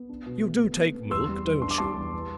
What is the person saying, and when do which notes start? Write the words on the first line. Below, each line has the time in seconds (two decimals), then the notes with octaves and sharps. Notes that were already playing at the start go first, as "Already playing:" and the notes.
You do take milk, don't you?
Already playing: B3
0.09 D4
0.26 B2
0.43 A3
0.60 B3
0.78 B3
0.94 B3
1.11 E2 C6 E6
1.29 G3
1.45 E3
1.62 D4 C6
1.71 D6
1.78 G3 A5 C6
1.97 E2
2.13 E3